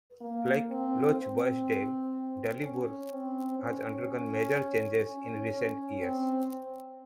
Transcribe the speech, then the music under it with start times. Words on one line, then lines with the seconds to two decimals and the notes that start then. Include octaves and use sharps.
Like Lochboisdale, Daliburgh has undergone major changes in recent years.
0.21 A#3
0.70 C4
1.18 C4
2.63 C#4
3.12 C4
3.59 C#4
4.08 C#4
5.04 C#4
5.53 C#4
6.01 C4